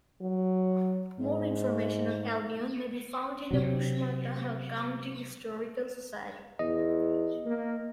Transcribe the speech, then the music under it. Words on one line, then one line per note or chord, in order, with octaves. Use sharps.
More information on Albion may be found in the Pushmataha County Historical Society.
F#3
G#2
C3 F#3
E2 D#5
A#3